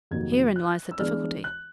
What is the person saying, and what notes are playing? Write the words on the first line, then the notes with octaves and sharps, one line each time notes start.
Herein lies the difficulty.
F2 C3 D#3 F#3 A#3 G#6
F#6
E6
E3 G#3 B3 D4 F6
F#6